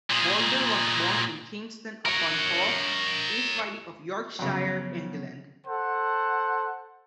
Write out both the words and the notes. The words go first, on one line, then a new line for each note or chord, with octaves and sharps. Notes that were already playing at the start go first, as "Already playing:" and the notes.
Bolder was born in Kingston upon Hull, East Riding of Yorkshire, England.
A#2 G#4
A#4 C#5
F#2 C#3 F3 F#3 B3
A4 C5 F#5